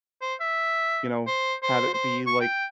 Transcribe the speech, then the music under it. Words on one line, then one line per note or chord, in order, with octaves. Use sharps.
you know, have it be, like,
C5
E5
C5
C5
C5
C#6
G5